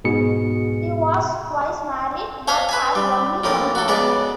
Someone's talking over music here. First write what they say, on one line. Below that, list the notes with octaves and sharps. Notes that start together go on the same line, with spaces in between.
He was twice married, but had only one daughter.
G#2 B2 G#4 C#7
C5 C#5 E5 F5 G#5
B4 E5 G#5
G3
A2 F3 A#3 D#6
F#4 A4
C#3 G#3 B3 D5 A5